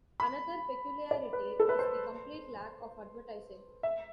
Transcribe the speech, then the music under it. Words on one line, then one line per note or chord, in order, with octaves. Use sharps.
Another peculiarity was the complete lack of advertising.
B5
D5
B4
A4
B4
C5
E5